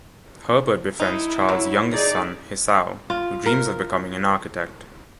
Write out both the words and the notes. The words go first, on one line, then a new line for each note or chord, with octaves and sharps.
Herbert befriends Charles' youngest son, Hissao, who dreams of becoming an architect.
D#4 E4
F#3
D#4 G#4 D5
F4
A#4